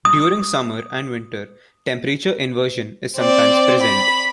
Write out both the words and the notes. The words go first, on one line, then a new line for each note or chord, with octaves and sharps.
During summer and winter temperature inversion is sometimes present.
D#6
C4 D5
B5